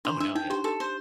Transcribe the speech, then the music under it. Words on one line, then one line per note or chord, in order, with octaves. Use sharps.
Oh no, yeah.
D4 C5
D4 E5
D#4 G5
G4 C5
G4 A4
C5